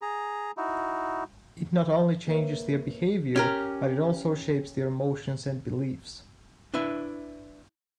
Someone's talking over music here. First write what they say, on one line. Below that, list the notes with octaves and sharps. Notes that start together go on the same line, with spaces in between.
It not only changes their behavior, but it also shapes their emotions and beliefs.
G#4 A#5
D#4 E4 F#4
A#3 A#4 B4 C#5 E5
C#4 G4 A#4
D4 E4 B4 E5